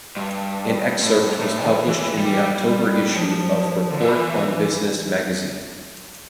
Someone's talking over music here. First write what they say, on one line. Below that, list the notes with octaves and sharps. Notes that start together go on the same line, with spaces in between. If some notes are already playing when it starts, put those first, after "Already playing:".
An excerpt was published in the October issue of "Report on Business Magazine".
G2
A2
G2
A#2
A2
E3
E3
E3
G3
G3
F3
D3
E3